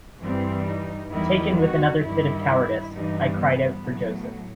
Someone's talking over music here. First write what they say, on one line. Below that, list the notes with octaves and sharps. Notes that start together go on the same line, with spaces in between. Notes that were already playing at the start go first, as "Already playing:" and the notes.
Taken with another fit of cowardice, I cried out for Joseph.
G2 E3 G3 C4
D#4
E2 D#3 G3 E4
F#4
G2 D#3 G3 E4
G2 E3 G3 D#4
B3
A2 F#3